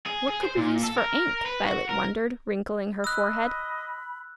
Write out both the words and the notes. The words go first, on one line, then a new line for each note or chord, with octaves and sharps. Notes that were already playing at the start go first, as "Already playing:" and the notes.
"What could we use for ink?" Violet wondered, wrinkling her forehead.
G#4
G#4
C5
A#2
A4
A#4
B4
F#4
A#4
D#5 B5 E6 F#6